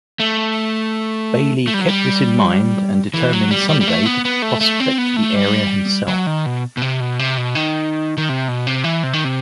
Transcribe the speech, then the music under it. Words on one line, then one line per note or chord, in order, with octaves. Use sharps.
Bayley kept this in mind and determined some day to prospect the area himself.
A3
A3
G3
F#3
G3
E3
F#3
G3
G3
G3
A3
B3
B3
A3
A3
C4
B3
A3
G3
F#3
D#3
B2
B2
C3
B2
C3
B2
D#3
D#3
C3
B2
C3
E3
C3
D#3
C3